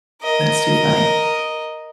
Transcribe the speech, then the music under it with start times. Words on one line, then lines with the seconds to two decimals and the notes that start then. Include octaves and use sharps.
That's too funny.
0.22 A#4 D#5